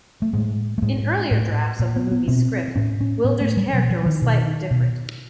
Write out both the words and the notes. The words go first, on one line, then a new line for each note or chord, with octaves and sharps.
In earlier drafts of the movie's script, Gwildor's character was slightly different.
A3
A2 G#3
A3
A2 G#3
A2
A#2
B3
B3
B2 C4
A2 C#4
C#4
A2 B3
A3
G3
B2 F#3
F#3
F3
D#3
B2
B2